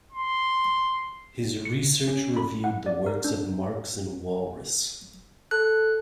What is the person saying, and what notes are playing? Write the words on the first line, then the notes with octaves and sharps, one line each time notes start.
His research reviewed the works of Marx and Walras.
C6
C#7
C#4
B5
F#5
D5
A#4
D4
A4 F#6